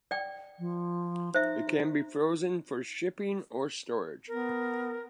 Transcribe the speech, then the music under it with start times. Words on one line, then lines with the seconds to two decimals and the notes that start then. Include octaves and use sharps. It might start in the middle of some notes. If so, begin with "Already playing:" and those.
It can be frozen for shipping or storage.
0.11 D5 G5
0.59 F3
1.34 D#4 C5 E5
4.28 B3 A#4